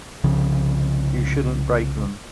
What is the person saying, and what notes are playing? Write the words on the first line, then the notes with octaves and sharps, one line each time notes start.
You shouldn't break them.
C2 C#3 F3